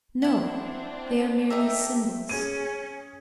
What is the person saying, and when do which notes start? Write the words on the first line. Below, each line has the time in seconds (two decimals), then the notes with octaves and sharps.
No, they are merely symbols.
0.22 C4 D4 E4 F#5
1.50 D#4 G4 A4 A#4 E5
2.29 C#4 G#4 G#6 D#7